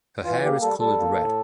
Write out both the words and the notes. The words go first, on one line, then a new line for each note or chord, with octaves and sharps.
Her hair is colored red.
E3 F4
A#3 G4
G3 A4
G3 A4
A#3
A2